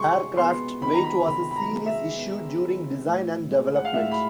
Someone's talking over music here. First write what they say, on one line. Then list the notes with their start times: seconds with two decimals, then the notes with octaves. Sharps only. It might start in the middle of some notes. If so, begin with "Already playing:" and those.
Aircraft weight was a serious issue during design and development.
Already playing: C3 G#3 C6 C#6
0.37 B3 C6
0.82 D#3 B5
0.93 A#5
1.04 B5
1.26 C3 B5
1.51 B5
1.56 A#5
1.71 G#3
1.86 E5
2.16 B3
2.60 D#3
3.05 A2
3.49 G#3
3.76 F#5
3.85 F5
3.94 A2 E5
4.11 B5